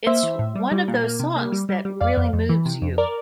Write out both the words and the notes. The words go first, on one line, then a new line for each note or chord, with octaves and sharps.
It's one of those songs that really moves you.
A#3 C5 E5
E3
A2
G3
G3
A#2
A#3
C3
A#3
G3
G3
G3
F2 D5 F5
F2
F2
E3
C3
F2
A#4 D5